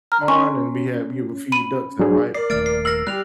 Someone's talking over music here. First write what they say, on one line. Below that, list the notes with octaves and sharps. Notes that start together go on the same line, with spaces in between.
pond, and we had we would feed ducks there, right,
A#5 F6
C#4 G#5 C6 C#6
B5 D#7
F#3 D4 G#4
A#4 D5 C7
D#1 D#3 A3 F6 A6 D7
C7
E6 F6 A#6 C7 F#7
G3 G4 F#6 F7